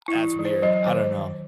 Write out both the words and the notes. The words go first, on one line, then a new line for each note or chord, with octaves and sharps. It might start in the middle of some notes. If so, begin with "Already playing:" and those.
that's weird. I don't know.
E4
E3
E3
C5
F#3 D#5
D#3 C5